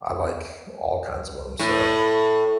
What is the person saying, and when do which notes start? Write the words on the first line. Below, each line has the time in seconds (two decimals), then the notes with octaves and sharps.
I like all kinds of 'em, so,
1.59 A2